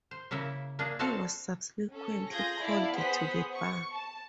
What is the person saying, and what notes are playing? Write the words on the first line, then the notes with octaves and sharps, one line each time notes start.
He was subsequently called to the bar.
C5
C#3 A#3 E4 E5
A#3 D4 G#4
C4 F#4 A4 D5 F5 A5
C#4 A4
F4 G#4 G6 G#6 A#6
E4 D5 F5 A5
B3 G#4 C5 F#5 D#6 B6
C#6
A5